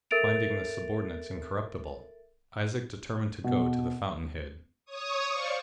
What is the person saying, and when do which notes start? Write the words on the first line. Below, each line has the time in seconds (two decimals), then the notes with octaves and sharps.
Finding the subordinates incorruptible, Isaac determined to go to the fountain-head.
0.11 A4 A#4 E5 A6 D7 F7
3.44 B2
4.85 C#5 C#6 D#6
5.30 C5 D5 F5 C#6